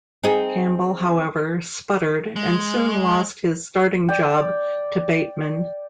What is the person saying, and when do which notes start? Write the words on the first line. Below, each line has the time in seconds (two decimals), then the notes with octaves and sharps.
Campbell, however, sputtered, and soon lost his starting job to Bateman.
0.24 C4 D#4 G#4
2.36 G#3
4.09 D5 G5